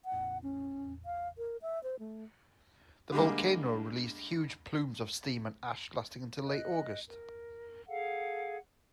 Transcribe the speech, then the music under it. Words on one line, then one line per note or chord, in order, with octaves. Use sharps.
The volcano released huge plumes of steam and ash lasting until late August.
F#5
C#4
F5
A#4
E5
C5
A3
D3 G3 G#3 A#3
D#5 F#6
A#4
G#4 A4 F5 F#5